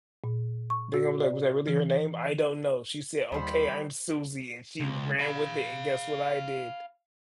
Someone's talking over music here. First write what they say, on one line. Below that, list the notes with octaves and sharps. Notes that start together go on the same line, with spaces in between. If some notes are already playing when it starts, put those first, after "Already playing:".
They gonna be like, "Was that really her name?" "I don't know. She said, 'Okay, I'm Suzie', and she ran with it, and guess what I did?"
A#2
C#6
F#4
D5
E3
D#2 D#3 G3 C5 B5
C#2
F5 B5